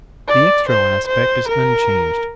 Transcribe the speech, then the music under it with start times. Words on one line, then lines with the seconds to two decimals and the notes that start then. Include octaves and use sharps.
The external aspect is unchanged.
0.28 D5
0.68 C5
1.07 C5
1.48 A#4